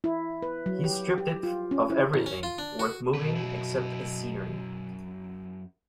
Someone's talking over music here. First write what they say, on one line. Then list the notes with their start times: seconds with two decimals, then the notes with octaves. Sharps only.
He stripped it of everything worth moving, except scenery.
0.04 E4
0.42 B4
0.66 F#3
0.84 G4
1.18 G4
1.43 F4
1.71 C#4
1.90 E4
2.14 A1
2.26 C#4
2.43 F4
2.58 D4
2.79 F#4
3.14 B1 B2 B4
3.36 F#2 E4